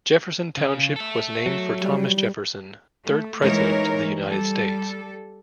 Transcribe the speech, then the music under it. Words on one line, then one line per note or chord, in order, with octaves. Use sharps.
Jefferson Township was named for Thomas Jefferson, third President of the United States.
C#3
A4 E5
F#3
G3
A3
E3 G#3 A#3 D#4 A#4 C#5
G3 A4